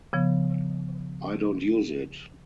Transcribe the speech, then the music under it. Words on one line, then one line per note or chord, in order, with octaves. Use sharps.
I don't use it.
C#3 F3 B3